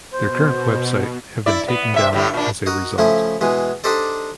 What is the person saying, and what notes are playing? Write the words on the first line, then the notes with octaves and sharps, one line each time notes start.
Their current website have been taken down as a result.
B2 C5
E4 D5
B3
C3 E5
A2 D3 G3
A#2 D4
D#4 F#4 A#4
C#3 F3 A3 E4
B2 E3 G#3
D4 D#4 G4 A4 C5 D5